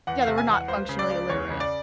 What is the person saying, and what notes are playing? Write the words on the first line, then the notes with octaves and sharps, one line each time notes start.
Yeah, that we're not functionally illiterate.
E2 F#5
F5
C3
G#5
E2
F#5
C#2 C5
C#3
D5
C#2
E2 C#5
C#3
D5